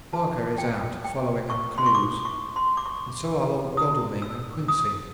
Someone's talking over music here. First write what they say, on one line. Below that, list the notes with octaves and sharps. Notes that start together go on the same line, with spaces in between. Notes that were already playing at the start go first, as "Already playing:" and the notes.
Harker is out, following up clues; and so are Lord Godalming and Quincey.
F4 G#4 B4 A5
G5
G5
C#6
C6
C#6
D6
C#6
C6
D6
C#6
C#4 E4 G4 B4 D#6
E6
D#6